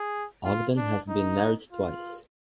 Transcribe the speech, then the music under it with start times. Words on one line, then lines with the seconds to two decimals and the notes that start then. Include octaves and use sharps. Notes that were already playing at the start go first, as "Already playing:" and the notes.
Ogden has been married twice.
Already playing: G#4
0.45 F4
0.77 D4
1.09 D#4
1.73 F4